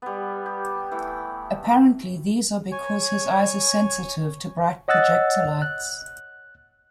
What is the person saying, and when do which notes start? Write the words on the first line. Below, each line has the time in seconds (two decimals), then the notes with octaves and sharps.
Apparently these are because his eyes are sensitive to bright projector lights.
0.02 G3 B3
0.46 G4
0.91 E3 A3
2.72 C#5 G#5
4.88 C#5 D#5 F#5 E6 F#6 A6
5.62 F#6